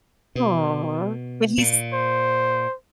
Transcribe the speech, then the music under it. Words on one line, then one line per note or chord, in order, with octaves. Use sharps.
Aw, but he's
B2
A#2
C5